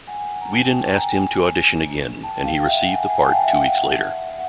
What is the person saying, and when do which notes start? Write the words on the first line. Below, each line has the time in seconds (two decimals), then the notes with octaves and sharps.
Whedon asked him to audition again, and he received the part two weeks later.
0.07 F#5 G#5
0.41 A#5
0.51 G5 A5
0.72 G5 A5
0.94 G#5 A#5
2.23 G5 A5
2.44 F5 G5
2.66 E5 F#5
2.88 F#5 G#5
3.09 F#5 G#5
3.20 G5 A5
3.31 F5 G5
3.42 E5 F#5
4.29 F#5